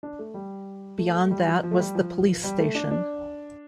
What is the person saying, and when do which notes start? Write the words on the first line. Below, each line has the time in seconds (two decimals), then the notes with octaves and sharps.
Beyond that was the police station.
0.03 D4
0.19 A3
0.34 G3
0.98 A3
1.15 A3
1.31 G3
1.48 F3
1.63 F3
1.71 A3
1.79 G3
1.95 F3
2.44 G3
2.59 A3
2.75 D4
2.91 D4